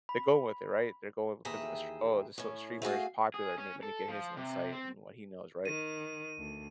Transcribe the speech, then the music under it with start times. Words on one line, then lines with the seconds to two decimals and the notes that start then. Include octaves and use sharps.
they're going with it, right? They're going ‘cause a str "Oh, this, uh, streamer is popular, me let me get his insight and what he knows,” right?
0.09 B5
1.45 D#2 E3 G#4 E5 G5 A#5
2.38 A2 C#4
2.82 A3 F#4 G#4 F5
3.34 G#4
3.58 C#4
3.83 A4
4.08 F3
4.37 C3
4.72 C4
5.65 D#3 D#7
6.38 D2